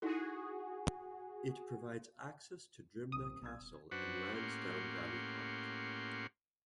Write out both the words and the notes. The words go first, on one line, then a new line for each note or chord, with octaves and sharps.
It provides access to Drimnagh Castle and Lansdowne Valley Park.
D#4 E4 F#4 G#4 A4
D#1 B1 F2 D#6
B1 B2 E6 G#6
D#1
F#2 D4 F#4 B4 C5 F#5
A2 A#3 C#4 G4 F#5 C6